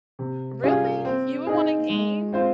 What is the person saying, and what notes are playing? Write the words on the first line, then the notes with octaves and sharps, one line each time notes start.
Really? You would wanna game?
C3
G3 C#4 F4 G#4
C4
D#4 G#4
G#3
C4 F4 C5